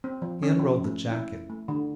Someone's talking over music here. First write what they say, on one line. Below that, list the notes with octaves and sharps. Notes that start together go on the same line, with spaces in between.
He unrolled the jacket.
C4
F3
C#4
F3
A3
E4
A3
D3